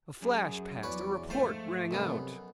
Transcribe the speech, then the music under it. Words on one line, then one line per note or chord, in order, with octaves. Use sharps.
A flash passed, a report rang out.
F#2 G#4
E2 F#3 C#4 B4 D5
G#2 F3 A3 F4 C5
B1 F#2 C3 B3